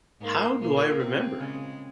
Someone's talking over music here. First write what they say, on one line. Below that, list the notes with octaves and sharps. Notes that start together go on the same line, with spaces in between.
How do I remember?
G#2 A#3
A#2 A#3
C3 C4
C#3 G#3